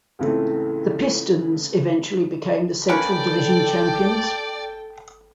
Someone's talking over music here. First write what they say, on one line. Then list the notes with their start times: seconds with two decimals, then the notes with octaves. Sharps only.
The Pistons eventually became the Central Division champions.
0.19 C#2 A2 C#3 E3 A3 C4
2.89 A#3 C#4 A4 B4 D5 G5